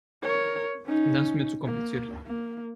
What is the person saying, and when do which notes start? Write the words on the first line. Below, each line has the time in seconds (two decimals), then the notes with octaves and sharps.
Das ist mir zu kompliziert.
0.23 A#4 C#5
0.86 C#4 D#4
1.65 A#3
2.26 A#3